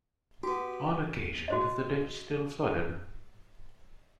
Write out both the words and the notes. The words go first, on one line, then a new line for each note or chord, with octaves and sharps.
On occasions the ditch still flooded.
B3 F#4 G4
F#4 C5 D#5